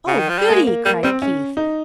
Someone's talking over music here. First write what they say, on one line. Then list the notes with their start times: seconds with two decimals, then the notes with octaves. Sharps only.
"Oh, goody!" cried Keith.
0.07 C#3
0.18 D#3
0.29 F3
0.38 G3
0.49 G#3 A#3
0.67 A#3
0.85 G3 A#3
1.03 G3 C4
1.22 C#4
1.57 D#4